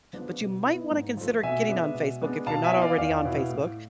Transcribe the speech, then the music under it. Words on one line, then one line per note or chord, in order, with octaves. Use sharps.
but you might want to consider getting on Facebook if you're not already on Facebook,
F3 G#3 B3 D4
B2
B3 E4
G#2
F3 A3
B2 E5 G#5
G#3 B3 D4
B2
G#3 B3 D4
B2 F5 A5
E5 G#5
B3 E4
D5 F5
E2 D5 F5
B2 B3 E4
A2